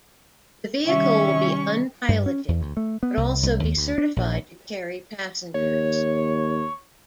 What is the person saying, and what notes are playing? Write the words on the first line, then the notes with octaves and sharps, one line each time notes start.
The vehicle will be unpiloted, but also be certified to carry passengers.
C3 D#3 G3 C#4 E5 C#6
G2
C#4
E2
D2
A3
B3
C2
C2
D#2
D2
D4
A#1
D#2 C#5